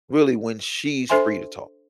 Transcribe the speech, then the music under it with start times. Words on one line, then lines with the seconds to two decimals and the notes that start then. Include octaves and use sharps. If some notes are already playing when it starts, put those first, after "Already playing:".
really, when she's free to talk.
1.10 D4 A4 C5 E5 G#5 C6